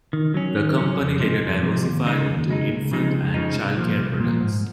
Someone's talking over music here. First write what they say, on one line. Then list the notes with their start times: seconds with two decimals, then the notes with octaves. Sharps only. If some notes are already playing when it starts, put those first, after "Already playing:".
The company later diversified into infant and child care products.
0.13 D#3
0.34 F#3 C#4
0.56 D#3
0.78 F#3 C#4
0.99 F2
1.20 C3 F3 G#3
1.42 F2
1.63 C3 F3 G#3
1.85 D#2
2.06 C#3 G#3 D#4
2.27 D#2
2.49 C#3 G#3 D#4
2.70 C#2
2.91 C#3 F3 G#3 D#4
3.12 C#2
3.34 C#3 F3 G#3 D#4
3.56 C2
3.77 A#2 F3
3.98 C2
4.20 A#2 F3
4.41 G#2